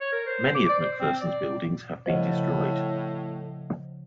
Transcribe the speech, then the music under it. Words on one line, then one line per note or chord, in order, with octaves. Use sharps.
Many of MacPherson's buildings have been destroyed.
C#5
A#4
C5
D6
D5
C5
C4
D5
A2 C#3 F3 C5 D#5 F#5